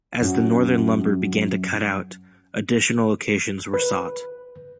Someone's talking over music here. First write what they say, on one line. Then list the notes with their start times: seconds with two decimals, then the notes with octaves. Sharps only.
As the northern lumber began to cut out additional locations were sought.
0.21 F#2 F#4
3.74 B4